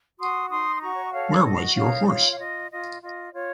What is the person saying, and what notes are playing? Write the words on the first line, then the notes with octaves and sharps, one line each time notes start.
Where was your horse?
F#4 C6 D#6
D#4 C6 D#6
D#6
F#4 A#5 C#6
C#5
D#5
A4 C#5 F5
F#4 D#5
D#4 C#5 F5
F4 C#5 F5
F5
F4 D#5
F4 D#5
F4 D#5
F4 C#5